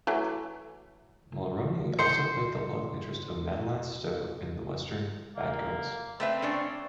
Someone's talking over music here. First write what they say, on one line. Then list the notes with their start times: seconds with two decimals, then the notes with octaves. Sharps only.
Mulroney also played the love interest of Madeleine Stowe in the western "Bad Girls".
0.07 E3 F#3 A3
1.99 C5 C#7
5.36 A#3
6.20 A3 C4 B4 E5
6.42 A3 C#4 D4